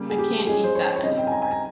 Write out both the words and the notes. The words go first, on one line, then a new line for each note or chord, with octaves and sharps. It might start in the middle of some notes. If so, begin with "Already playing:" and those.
I can’t eat that anymore.
Already playing: C#3 G3 A#3
G#4
G4
F3 G#3 C#4 G#4
C5
C#5
C#5
C#3 G3 C4 D#4 D#5
G5
G#5
A#5
G#5
A#5